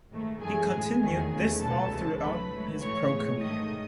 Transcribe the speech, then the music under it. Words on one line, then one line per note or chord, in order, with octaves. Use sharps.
He continued this all throughout his pro career.
G#2 D#3 A3
F#2 E3 A3 G#4 G#5
A2 G#3
E2 D#3 F#3 A3 G#4 G#5
E2 C#3 E3 A3
C#2 B2 F#3 A4 A5
C#2 C#3 E3 G#3
G#2 F#3 A3 B4 B5
G#2 F#3 A3
A2 E3 A3 C#5 C#6
A2 G#3
G#2 D#3 A3 D#5 D#6